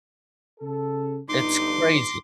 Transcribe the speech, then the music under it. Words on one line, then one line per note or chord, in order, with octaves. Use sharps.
it's crazy.
C#3 A4
G1 G2 D#4 C6 D6